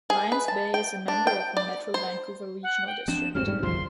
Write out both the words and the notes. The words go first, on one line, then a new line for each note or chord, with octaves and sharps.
Lions Bay is a member of the Metro Vancouver Regional District.
G#4
B4
A5
G5
D4
G5
D5
C5
F#5
G5
F3 C4 D4 E7
D#1 G2 F#3 G3 C4 C#4 F6
G#2 G3
F#1 B1 E2 D#3 F3 C6